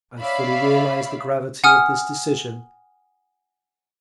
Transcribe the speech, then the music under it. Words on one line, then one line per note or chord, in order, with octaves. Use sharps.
I fully realise the gravity of this decision.
C#5 D5 E5 F5 B5
F#5 G#5 D#6 F6